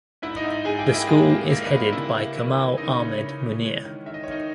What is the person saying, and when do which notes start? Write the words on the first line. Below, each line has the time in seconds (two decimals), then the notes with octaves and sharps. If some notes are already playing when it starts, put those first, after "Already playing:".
The school is headed by Kamal Ahmed Munir.
0.22 G#2 E4 E5
0.36 D#4 D#5
0.43 G#2
0.64 G#2 G#4 G#5
0.79 G4 G5
0.86 A#3
0.93 E4 E5
1.07 G#2 G#3 G#4
1.30 A#3
1.50 A#3 A#4
1.64 B3 B4
1.71 G3
1.92 C#3 E4 E5
2.15 A#3
2.36 E3
2.56 A#3
2.77 C#3 D#4 D#5
2.99 C#3 C#4 C#5
3.21 C#3
3.42 E3
3.63 G#3
3.85 D#3
4.06 D#3 E5
4.14 D#5
4.24 C#5
4.28 D#3 D#4 D#5